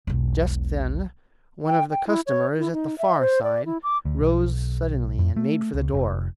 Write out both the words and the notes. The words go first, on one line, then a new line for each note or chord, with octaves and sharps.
Just then one of the customers at the far side rose suddenly and made for the door.
E1 B1
G5
G5
E4
C#5
E4
D#4
E5
C5
D5
E4
D6
D2
B1
F2
A3
C#2
F1